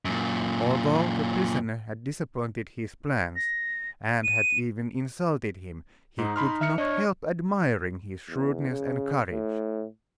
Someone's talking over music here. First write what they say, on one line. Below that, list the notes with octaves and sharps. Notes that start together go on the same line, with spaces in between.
Although the prisoner had disappointed his plans, and had even insulted him, he could not help admiring his shrewdness and courage.
F#2 A#2
A#6
D#7
G#2 D#4
B5 C6 F6
E5 F6 C#7
D4 C#5 D#5
E2
C#3
A2